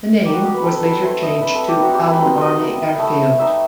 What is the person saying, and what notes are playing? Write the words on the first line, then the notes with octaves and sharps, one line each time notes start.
The name was later changed to Allen Army Airfield.
G3 D#4 G4
F#4
G4
B4
F#3 C4 D#4 A4
B4
A3 E4 C5
D#5
G3 C4 E4 B4
A4
G4
G3 C4 D#4 F#4
G4
B4
F#3 C4 D#4 C5
D#5
G3 B3 E4
A3 E4
G3 D#4 E5